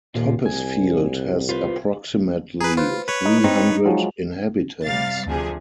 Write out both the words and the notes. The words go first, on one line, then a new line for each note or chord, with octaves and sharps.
Toppesfield has approximately three-hundred inhabitants.
D#2 A#2 F4
C2 G#5
F4 B4 C5
G#4 B4 A#5
F4 B4 C5
B4 C#5
D#4
C4 D#4
F3 F#3 G#3
C3 G3 F5 A6
D2 C3 F3 G#4